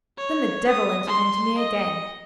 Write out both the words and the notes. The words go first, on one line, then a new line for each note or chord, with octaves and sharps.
Then the devil entered into me again.
C#5
D#6
C6
D#5